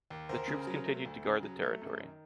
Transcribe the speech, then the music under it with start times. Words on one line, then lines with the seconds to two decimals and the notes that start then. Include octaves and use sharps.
The troops continued to guard the territory.
0.10 D#2
0.29 D2 A#4 C5
0.48 C#3
0.67 F#3
0.86 A3
1.05 D2
1.24 C#3
1.43 F#3
1.62 A3
1.81 F#2
2.01 D#3